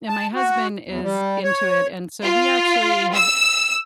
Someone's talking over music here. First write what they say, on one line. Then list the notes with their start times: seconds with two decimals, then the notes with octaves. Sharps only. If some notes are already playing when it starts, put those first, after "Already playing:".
and my husband is into it, and so we actually have
0.08 A5
0.35 F#4
0.86 E2
1.03 G3
1.44 C#5
2.23 F4
3.14 E6